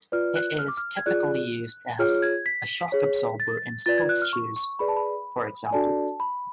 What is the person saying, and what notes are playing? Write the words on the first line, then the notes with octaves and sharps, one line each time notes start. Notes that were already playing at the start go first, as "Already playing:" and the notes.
It is typically used as a shock absorber in sports shoes, for example.
F4 B4 D5 F6
F#6
F6
D6
F6
G#6
F4 G#4 D5 F#6
F4 G#4 C#5 F6
G#6
B6
G#4 C#5
A6
F4 B4 D5 A6
G#6
F#6
F6
C#6
C#6
G#4 B4 D5 B5
A5
B5
G#5
D4 F#4 A4 D5 A5
B5